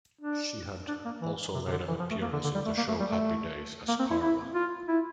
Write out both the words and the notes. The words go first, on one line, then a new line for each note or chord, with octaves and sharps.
She had also made an appearance in the show "Happy Days" as Carla.
D4
D4
A#3
E3
C3
C3
D3
E3
F3
A3
A#3
D3
D3
G3
A3
A#3
A3
G3
A3
A#3
C4
E4
E4
F4
E4